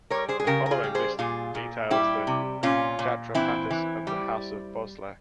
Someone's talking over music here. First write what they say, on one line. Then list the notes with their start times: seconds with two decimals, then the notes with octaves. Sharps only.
The following list details the Chhatrapatis of the House of Bhosle.
0.10 G3 A#4 C#5
0.29 G#4 C5
0.40 G#4
0.47 C#3 G4 A#4
0.66 A#4
0.71 F4 G#4
0.83 G3
0.95 G#4 C5
1.19 A#2 F4 G#4
1.55 A#2
1.90 G3 E4 G4
2.27 C3
2.63 A#2 C#4 F4
2.99 A#2
3.35 E3 C4 E4
3.70 E3
4.07 G3